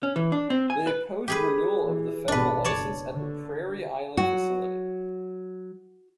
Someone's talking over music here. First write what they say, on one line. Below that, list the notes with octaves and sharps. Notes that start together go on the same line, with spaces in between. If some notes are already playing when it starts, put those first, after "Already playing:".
They opposed renewal of the federal license at the Prairie Island facility.
C#4
E3
D4
C4
G#5
B4
G4 G#4 B4
E3
G#1 B2 B3 D4 B4
F#1 C#5 D5 A5
D3
F#3 F#4